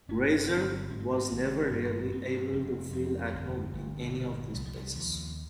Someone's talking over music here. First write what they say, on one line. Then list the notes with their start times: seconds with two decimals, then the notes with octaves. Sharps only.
Reiser was never really able to feel at home in any of these places.
0.08 G1 C#4
0.49 G1 C4
0.90 G#2 C#4
0.99 C4
1.09 A#3
1.18 C4
1.31 G#1
1.71 G2 A#3
2.12 G2 C4
2.52 F1 C4
2.92 F2 C4
3.33 G1
3.73 G1
4.15 A#2
4.55 C2 G3
4.65 F3
4.76 G3
4.95 D#2 F3